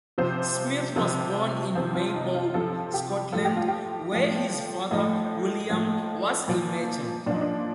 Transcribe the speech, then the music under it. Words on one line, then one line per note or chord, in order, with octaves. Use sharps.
Smith was born in Maybole, Scotland, where his father, William, was a merchant.
C3 F3 C5
C3 F3
C3 F3 C5
F4
D#4
F4
C3 F3 A4
G4
A2 F3 A4
G4
F4
G4
A2 F3
A2 F3 D#4
A2 F3
A#2 F3
A#2 F3 D4 D#4
D4